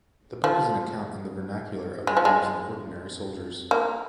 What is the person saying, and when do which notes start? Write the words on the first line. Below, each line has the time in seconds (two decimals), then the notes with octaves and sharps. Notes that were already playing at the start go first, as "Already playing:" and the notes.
The book is an account in the vernacular of the lives of ordinary soldiers.
0.44 F3
2.07 G#3
2.17 F3
2.25 G#3
3.71 A#3